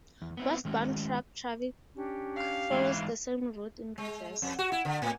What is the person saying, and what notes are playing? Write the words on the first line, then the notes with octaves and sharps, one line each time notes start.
Westbound truck traffic follows the same route in reverse.
E2
B3 C4 E4
D#3 G#3 C#4 F#4
C#4 D4 G4
F5
G#2 E3
G#3
F2
F#4
E4
D3
A2